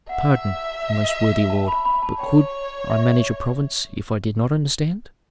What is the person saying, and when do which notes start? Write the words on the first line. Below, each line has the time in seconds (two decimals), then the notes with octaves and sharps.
"Pardon, most worthy lord, but--could I manage a province if I did not understand?"
0.09 E5 F#5
1.50 A5
1.68 B5
1.85 B5
2.02 A5
2.19 C#5 G5
2.90 E5